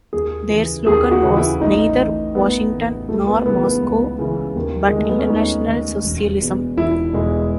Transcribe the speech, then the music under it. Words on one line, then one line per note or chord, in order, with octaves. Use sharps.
Their slogan was "Neither Washington nor Moscow but International Socialism".
D#2 G#4
C#3 E3
D#2 G#4
F#4
C#3 E3
E4
A1 D#4
A2 E3
A1 B3
A2 E3
C#2 A3
B3
C#3 E3 B3
B3
C#2
C#3 E3
D#2
D#3 G#3
A3
B3
C#4
D#2 D#4
D#3
E1
E2 B2
E1 E4
E2 B2 G#3